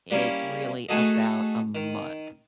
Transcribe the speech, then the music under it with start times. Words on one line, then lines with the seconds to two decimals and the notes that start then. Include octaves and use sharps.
it's really about a month.
0.11 G3 A#3 C#4 E4
0.89 A3 D#4 F#4 G#4 A4 D#5
1.75 D#3